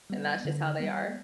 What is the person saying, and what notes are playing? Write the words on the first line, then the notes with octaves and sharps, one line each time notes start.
and that's just how they are.
G3 B3
D3
G3 B3